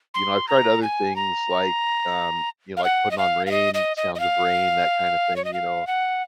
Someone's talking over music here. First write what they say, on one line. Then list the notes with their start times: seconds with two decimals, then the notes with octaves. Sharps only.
you know, I've tried other things like, um, you know, like putting on rain, sounds of rain, that kind of thing, you know.
0.14 C6
0.48 A#5
0.82 G#5
1.16 A#5
2.77 F5
2.84 F#5
3.11 D#5
3.18 F5
3.46 F5
3.51 D#5
3.74 D#5
3.97 D#5
4.15 D#5
4.20 F5
5.36 C#5
5.44 D#5
5.53 F5
5.87 F#5